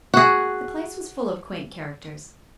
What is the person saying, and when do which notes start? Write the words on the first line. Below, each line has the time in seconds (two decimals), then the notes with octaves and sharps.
The place was full of quaint characters.
0.14 F#4 G#4